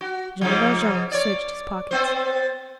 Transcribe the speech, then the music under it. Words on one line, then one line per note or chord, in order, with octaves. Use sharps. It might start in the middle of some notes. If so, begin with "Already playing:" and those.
Jean Valjean searched his pockets.
F#4
G#2 C#3 F3
C#5 D5
B3 C4 C5